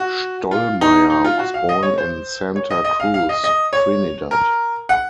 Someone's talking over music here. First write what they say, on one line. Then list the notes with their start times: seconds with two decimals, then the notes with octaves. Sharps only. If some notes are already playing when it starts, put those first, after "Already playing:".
Stollmeyer was born in Santa Cruz, Trinidad.
Already playing: F#4
0.51 F4
0.81 D#4
1.10 D#4
1.25 F4
1.39 F#4
1.54 F5
1.69 D#5
1.83 C#5
1.98 C5
2.56 C#5
2.70 D#5
2.84 D#5
3.00 F5
3.14 F5
3.29 D#5
3.44 D#5
3.73 C#5
4.31 A#4
4.89 F#5